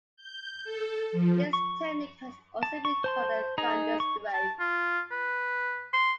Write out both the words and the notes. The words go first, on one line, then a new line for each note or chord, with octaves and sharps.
This technique has also been called a "thunder stroke".
G6
A4
F3
C#6
A5
C#6
C5 A5 C6
D#4 G#4 A#5
C#6
A5
F4
B4
C6